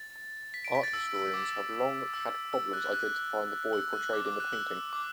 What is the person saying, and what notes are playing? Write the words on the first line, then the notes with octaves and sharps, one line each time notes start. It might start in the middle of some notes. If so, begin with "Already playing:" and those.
Art historians have long had problems identifying the boy portrayed in the painting.
Already playing: A6
B6
D7
B6
A6
E6
E6
D6
E6
E6
F#6
F#6
E6
F#6
D6
D6
F#6
E6
D6